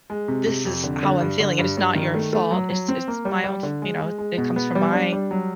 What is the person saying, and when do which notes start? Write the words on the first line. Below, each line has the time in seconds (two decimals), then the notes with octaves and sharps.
"This is how I'm feeling and it's not your fault, it's it's my own f you know, it comes from my
0.10 G#3
0.28 C3
0.46 C3
0.65 F2
0.84 D3
1.03 D3
1.21 G2
1.40 D3
1.59 G2
1.77 G2
1.95 D#3
2.15 A3
2.33 A3
2.51 F#3
2.70 F#3
2.89 C4
3.08 A#3
3.25 G3
3.44 G3
3.63 D3
3.82 G#3
4.00 G#3
4.18 G#3
4.38 B2
4.56 B3
4.75 G3
4.93 D4
5.13 G3
5.31 F#3